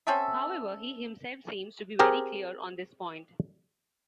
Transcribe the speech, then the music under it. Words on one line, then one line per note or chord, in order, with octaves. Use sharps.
However, he himself seems to be very clear on this point.
C4 C#4 A4 E5
C4 G4 G#4 A#4